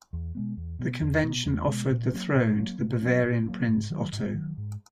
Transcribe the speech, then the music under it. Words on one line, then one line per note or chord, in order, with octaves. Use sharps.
The convention offered the throne to the Bavarian Prince, Otto.
E2
B2 G#3 B3
E2
B2 G#3 B3
E2
B2 G#3 B3
E2
B2 G#3 B3
A#2
F#3 A#3 C#4
A#2
F#3 A#3 C#4
A#2
F#3 A#3 C#4
A#2
F#3 A#3 C#4
G#2
D#3 F#3
G#2
D#3 F#3
G#2